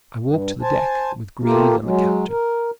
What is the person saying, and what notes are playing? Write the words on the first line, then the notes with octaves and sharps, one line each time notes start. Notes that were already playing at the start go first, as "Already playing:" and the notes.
I walked the deck with Green and the captain.
G2
C5 G#5 A5
A3 A#3 F4 G4 A#4
F#3 G#3
A#4